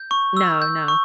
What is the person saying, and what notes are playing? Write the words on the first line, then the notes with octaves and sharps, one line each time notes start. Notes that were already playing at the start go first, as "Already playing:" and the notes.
No, no.
Already playing: G6
C#6
E6
G6
C#6